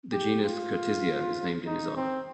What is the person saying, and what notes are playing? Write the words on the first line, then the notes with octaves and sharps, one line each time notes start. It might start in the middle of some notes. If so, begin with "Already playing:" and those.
The genus "Curtisia" is named in his honour.
G4
F4
D#4
C4